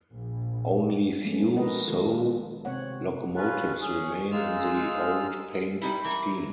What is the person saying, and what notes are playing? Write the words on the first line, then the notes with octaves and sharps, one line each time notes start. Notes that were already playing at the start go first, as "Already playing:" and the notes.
Only few Soo locomotives remain in the old paint scheme.
A#1
F3 G#3 A3 B3 C#4
F#4 A#4 B4 D#5
D#3 G#3 F4 A4
C3 C4 C#5 F#5
F#3 C#4 F4 B4
C#4 G#4
G#3 D#4 F4 G#4 E6 F6
G3 D#4 E4 B5
E3 A#4